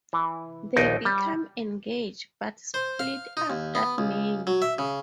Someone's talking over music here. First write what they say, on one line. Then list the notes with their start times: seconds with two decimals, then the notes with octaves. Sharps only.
They become engaged but split up that May.
0.13 E3
0.76 A#1 D#2 D#4 G5
1.05 G3
2.74 C5
2.99 F5
3.37 D#4
3.50 D#2
3.75 B3
3.98 C#2
4.47 F#3
4.62 E5
4.78 C#3